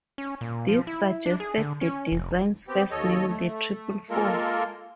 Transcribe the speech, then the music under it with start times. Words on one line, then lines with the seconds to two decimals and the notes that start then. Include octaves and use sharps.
This suggested the design's first name, the Triple-Four.
0.18 C#4
0.41 A#2
0.68 F3
0.87 E4
1.26 D4
1.40 G#4
1.58 D3
1.81 C#4
2.12 F1
2.68 B3 C4 G4
2.91 D#2 A4 C#5 D#5
3.27 A3
4.10 G#3 A#3 F4 A4 A#4